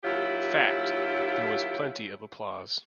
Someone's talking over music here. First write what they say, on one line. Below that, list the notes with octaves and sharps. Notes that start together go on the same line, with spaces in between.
Fact: There was plenty of applause.
D#2 F#3 E4 F4 G4